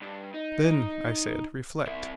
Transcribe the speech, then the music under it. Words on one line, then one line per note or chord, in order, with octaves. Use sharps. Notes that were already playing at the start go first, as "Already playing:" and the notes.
Then, I said, reflect.
G2
D#4
C3 E4